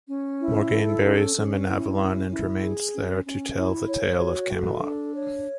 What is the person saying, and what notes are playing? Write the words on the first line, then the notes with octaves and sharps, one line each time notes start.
Morgaine buries him in Avalon and remains there to tell the tale of Camelot.
C#4
E4
A4
C#4
C#4
E4
C#4
E4
G#4
C#4
C#4
E4
C#5
F#4
A4
D4
C#5